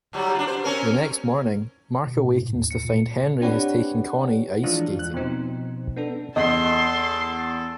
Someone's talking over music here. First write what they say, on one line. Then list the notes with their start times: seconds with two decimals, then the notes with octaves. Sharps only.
The next morning, Mark awakens to find Henry has taken Connie ice skating.
0.13 G#2 F#3 G3
0.35 D4 F4
0.47 C5
0.64 C4 C#4 A#4
2.07 B2
2.25 A2
2.41 G#2
2.55 D#2
2.71 C#7
2.85 A#2
3.41 C4 D4 G4 B4 C#5 F#5
4.63 E3 F3 G#3 D4 F4
4.96 E2 F#6
5.14 B2 F3 C4 D#4
5.96 B3 D4 A4
6.36 E2 A4 D#5 C6